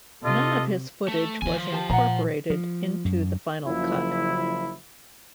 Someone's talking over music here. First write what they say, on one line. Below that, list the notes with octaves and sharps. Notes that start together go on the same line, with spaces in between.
None of his footage was incorporated into the final cut.
C3 F4 A4 D#5
A3
E2 D#3 E3 G#5
F3
G4 A5
A#2 F#5 A#5
F3
F#2
F#1 F3 E4